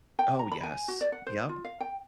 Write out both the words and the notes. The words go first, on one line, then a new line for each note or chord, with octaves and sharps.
Oh, yes. Yep.
G5
A#5
B5
G#5
F#4
D5
F#5
C5
F4
F5
G5